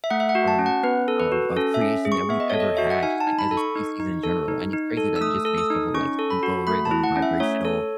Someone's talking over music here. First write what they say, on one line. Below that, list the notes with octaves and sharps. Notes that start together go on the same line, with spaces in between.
form of of creation that we've ever had, just like as a species in general, and it's crazy that it's just based off of like tempo, rhythm, vibrational,
E5
A3 F#5
E5
F#5
F#4
A5
C#4
F#5
B3 B4
A4
B4
F#4
C#4 A4
E5
C#4
G#4
C#6
B3 E5
D#5
A4 C#5
D#5
F#4 E5
F#5
D#4 G#5
A5
D#4
B5
A4
C#6
D#4
D#4
A4
D#4
D#4
A4
E6
A3 D#6
A4 E6
D#6
D#4
C#4 C#6
A4
B5
F#4
A3 B5
A5
E4
F#5
C#4
E5
A3 C#5
A4